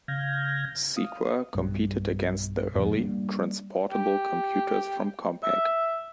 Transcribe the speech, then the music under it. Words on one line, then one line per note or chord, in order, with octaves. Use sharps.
Seequa competed against the early "transportable" computers from Compaq.
C#3 F5 F6 G6 G#6 A#6
F5 D#6
B1 G2
F2 G#2 B2 F3
G3 A#3 C#4 D4
G4
E5